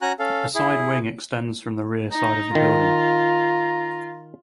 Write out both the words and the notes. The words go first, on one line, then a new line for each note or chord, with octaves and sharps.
A side wing extends from the rear side of the building.
C#4 F#4 G#5 A#5 F#6
C#4 A4 F5
E4 G#4
D#4 A#5
D#3 F4